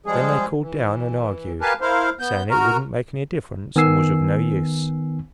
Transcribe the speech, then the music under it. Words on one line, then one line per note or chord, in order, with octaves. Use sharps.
Then they cooled down and argued, saying it wouldn't make any difference, and was of no use.
F3 G3 G#3 G#4
E3
G4 A#4 B4 F5 G#5 A5
E4 A#4 C5 F5
B3 G6
F#4 A#4 A#5
D#3 B3 G#5 E6 C7